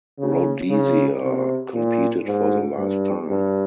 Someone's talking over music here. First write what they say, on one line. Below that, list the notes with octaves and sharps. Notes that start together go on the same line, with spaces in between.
Rhodesia competed for the last time.
C#3
C#3
C3
A#2
G#2
G2
G2